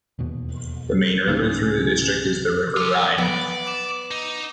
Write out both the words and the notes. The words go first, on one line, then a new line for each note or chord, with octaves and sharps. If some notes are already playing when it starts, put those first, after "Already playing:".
The main river through the district is the River Rhine.
E1 D#2 B2
C#2 G#2 A#3 C#4 D#4
C#4 F4
B3 D5
D6 E7
D#4